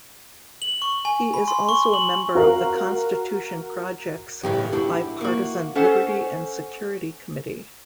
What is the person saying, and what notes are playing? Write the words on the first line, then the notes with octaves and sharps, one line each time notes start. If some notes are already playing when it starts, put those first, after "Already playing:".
He is also a member of the Constitution Project's bipartisan Liberty and Security Committee.
F#7
C#6
G#5
B5
C6
C#6
F#7
F#4 A#4 F5
F2 A2 C#3 E3 G4
D4 E4 F#4 G4
A#3 F#4
C#4 A4 C5 F#5